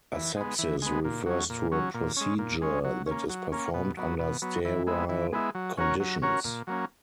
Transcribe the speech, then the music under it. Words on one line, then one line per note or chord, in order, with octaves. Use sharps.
Asepsis refers to a procedure that is performed under sterile conditions.
E3
G#3 B3
E3
G#3 B3
A#2
F#3 C#4
A#2
F#3 C#4
A#2
G#3 C#4
A#2
G#3 C#4
F#3
A#3 C#4
F#3
A#3 C#4
B2
F#3 B3
B2
F#3 B3
E3
G#3 B3 E4
E3
G#3 B3 E4
F#3
C#4 F#4 A#4 C#5
F#3
C#4 F#4 A#4 C#5
A#2
F#3 A#3 C#4